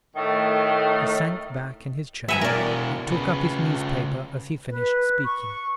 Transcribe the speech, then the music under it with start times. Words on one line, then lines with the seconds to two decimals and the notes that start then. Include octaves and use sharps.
He sank back in his chair, and took up his newspaper as he finished speaking.
0.16 A2 D#3 A3
2.29 G2 B3 E5 G#5 A#5
2.41 B2 E4 A#4 D5
3.07 C#3 B4
4.71 B4
5.25 C#6